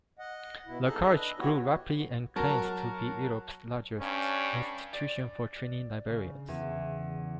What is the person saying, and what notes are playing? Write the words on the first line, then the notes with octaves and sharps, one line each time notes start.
The College grew rapidly and claims to be Europe's largest institution for training librarians.
D#5 F#5
B2 E4
D#4 G#4 A4 D#5
D4 D#5 E5
B4 D#5
B3 E4 F#4 G4 C#5
F#3 F#4 A#4 A5
G2 C#4
D5
C#3
E2